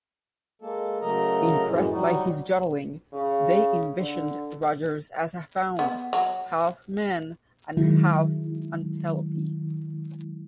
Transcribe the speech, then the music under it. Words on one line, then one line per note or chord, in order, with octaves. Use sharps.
Impressed by his yodeling, they envisioned Rodgers as a faun, half-man and half-antelope.
G#3 A#3 A4
C#3 F#3 A3 A#4 D#5 A#5
F#2 A2 E3 G#3
F#3 G3 D#4 F#4
C#3
D3
B3
F#3
D#3 F#3 G#3 E4